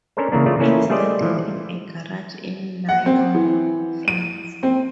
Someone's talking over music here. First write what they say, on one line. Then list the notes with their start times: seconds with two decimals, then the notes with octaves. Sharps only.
It started in a garage in Lyon, France.
0.17 C#4 D4 A4 A#4 C5
0.32 C#3 E3 A#3 D4
0.46 C#3 A3 F4 D5
0.59 E3 A#3 C#4 E4 A4
0.90 G3 A3 G#4 C5 D5 D#5
1.22 E3 F3
2.89 F#5
3.06 C4
3.34 E3
4.08 D#7
4.63 C4